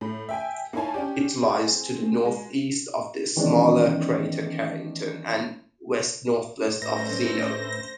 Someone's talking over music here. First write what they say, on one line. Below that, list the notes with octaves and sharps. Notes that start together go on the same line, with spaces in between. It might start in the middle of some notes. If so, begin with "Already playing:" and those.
It lies to the northeast of the smaller crater Carrington, and west-northwest of Zeno.
A2
E5 G5 G#5
A#3 D#4 E4 C#5 G#5 A5
C#4 D4 G4
C4 G#4
G#3
D#3 E3 G#3 B3 C#4 D4
A2 A3 C#4 D4 B4 C5 E5 A#6